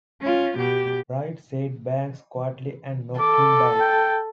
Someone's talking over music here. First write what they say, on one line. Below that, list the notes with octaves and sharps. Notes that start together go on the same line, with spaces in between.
"Right," said Banks quietly, and knocked him down.
C#4 F4
B2 G4
A4 D6
G5